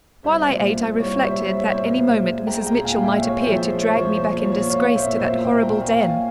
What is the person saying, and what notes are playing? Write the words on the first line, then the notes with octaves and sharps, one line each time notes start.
While I ate I reflected that any moment Mrs. Mitchell might appear to drag me back in disgrace to that horrible den.
C2 C5 E5
A#2
A#2
C2 C#5
G3 C5 E5
C2 E5
C#5
A#2 C5 E5
A#2
G#3
G#3 G5 A#5
G5 A#5
A#2
F5 G#5
A#2
E5 G5
G#3 C#5 F5
C5 E5
F3
C5
G#3
C#5
F3 C#5
C5
A#2
C#5
A#2
C#5
A#3 C#5 F5
A#2 C5 E5
A#2 C5 E5
A#2 E5 G5
G5 A#5
A#2
F5 G#5
A#3
F5 G#5